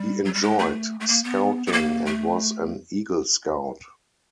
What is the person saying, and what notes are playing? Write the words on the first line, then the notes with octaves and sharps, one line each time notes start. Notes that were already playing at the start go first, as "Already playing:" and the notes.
He enjoyed Scouting and was an Eagle Scout.
Already playing: G3
F#3
G3
G#3
A3
A3
A#3
B3
B3
A#3
A3